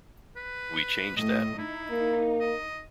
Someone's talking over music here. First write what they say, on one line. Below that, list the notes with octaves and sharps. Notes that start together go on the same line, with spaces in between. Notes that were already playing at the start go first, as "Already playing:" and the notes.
We changed that.
B4
A2 D#5
D#4 E4
A#3
D#5